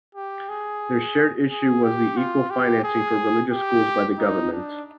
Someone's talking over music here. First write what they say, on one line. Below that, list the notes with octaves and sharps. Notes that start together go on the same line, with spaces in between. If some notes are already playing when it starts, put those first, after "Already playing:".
Their shared issue was the equal financing for religious schools by the government.
G4
G#4
G#4
G4
F4
G4
G#4
G4
D#4
D4